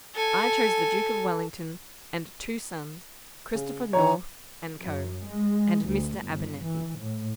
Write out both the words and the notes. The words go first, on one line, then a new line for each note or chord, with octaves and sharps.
I chose the Duke of Wellington and two sons, Christopher North and Co., and Mr. Abernethy.
A4 G#5
C#3
D#3 C#5 A#5
F#2
G#3
D2
G1
E3
A2